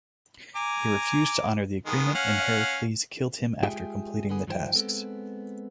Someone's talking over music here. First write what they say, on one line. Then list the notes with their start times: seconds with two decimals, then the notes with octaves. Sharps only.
He refused to honour the agreement, and Heracles killed him after completing the tasks.
0.56 G#5 A#5 D6
1.86 D#3 G#3 B3
2.15 C#4 F5 F#5
3.63 G#3 F4 G4 G#4 E5 G5
4.29 D3 B3 G#4
4.47 G2 D#3 F3 A4 C5 G5
4.75 G#3 B3 C4 A4